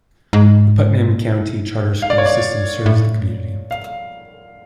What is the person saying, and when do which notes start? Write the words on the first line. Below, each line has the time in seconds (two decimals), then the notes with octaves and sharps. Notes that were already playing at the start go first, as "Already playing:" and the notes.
The Putnam County Charter School System serves the community.
0.33 G#2
2.02 F5
2.10 D5
2.18 C#5
2.26 D5
2.86 A2
3.71 F5